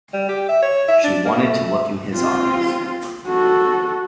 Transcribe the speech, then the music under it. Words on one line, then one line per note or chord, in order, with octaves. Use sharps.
She wanted to look in his eyes.
G3
G4
E5
C#5
E5
D4
A#3
A3
E5
C4 F4
F#4 A4